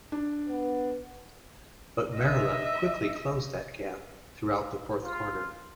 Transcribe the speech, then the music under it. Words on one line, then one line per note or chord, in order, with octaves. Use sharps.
But Maryland quickly closed that gap throughout the fourth quarter.
D4
B3
D#5 E5
F4